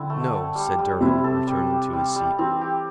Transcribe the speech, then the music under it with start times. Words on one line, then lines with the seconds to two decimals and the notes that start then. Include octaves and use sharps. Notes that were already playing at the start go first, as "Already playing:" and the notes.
"No," said Durham, returning to his seat.
Already playing: D3 C4 E4
0.10 A3
0.32 A4
0.55 G3
0.79 G3
1.01 C3 E4
1.24 A4
1.47 G3
1.70 G4
1.93 G3
2.16 G3
2.39 E3 C4
2.61 G4